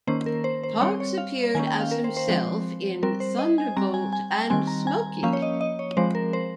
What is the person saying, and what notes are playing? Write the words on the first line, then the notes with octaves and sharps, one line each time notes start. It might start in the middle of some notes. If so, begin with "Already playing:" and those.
Parkes appeared as himself in Thunderbolt and Smokey!
D#3 A#3 C#4 C5
A#4
C5
C5
G3 C4 C#5
C#5
F5
D#3 A#3 C#4 G#5
G5
F5
A#4
C5
C5
F3 G#3 C4
G3 C4 A#4
C5
D#5
G#5
G3 C4 A#5
G#5
G#5
G5
D#3 G3 C4 G#5
A#5
G#5
F3 A#3 C#4 F5
C#5
D#5
D#5
C#5
F3 G#3 C4 C5
A#4
C5